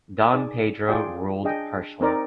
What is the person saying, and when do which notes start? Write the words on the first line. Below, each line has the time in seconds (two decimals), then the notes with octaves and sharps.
Don Pedro ruled harshly.
0.32 D#4 G#4 D5
0.88 F4 G#4 D5 G5
1.44 D4 G#4 D#5 G5
2.01 C4 D#4 A#4 D5